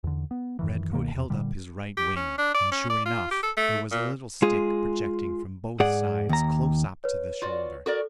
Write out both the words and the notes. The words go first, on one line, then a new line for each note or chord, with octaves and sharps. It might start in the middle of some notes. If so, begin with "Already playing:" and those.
Redcoat held up his right wing and sure enough there was a little stick projecting from both sides close up to the shoulder.
E2 D3
B3
F#2 D#3 E3
C#2 B2 D#3 A#3
E2 B2
A#2 D3 G3
G4
C#4
D4
D5
C#4
D5
F4
G4
A4
A3
A#2
G#3 F4 G#4
G#2 G#4 D5 F#5
D#2 A#5
B4 C#5
F4 F#4 D5
F#4 A4 A#4 D5